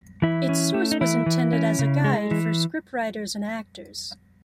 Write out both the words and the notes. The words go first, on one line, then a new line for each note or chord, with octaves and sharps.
Its source was intended as a guide for scriptwriters and actors.
E3 E4
C#4
A3
D#4
E3 E4
E3
C#4
C#3
G#3
E3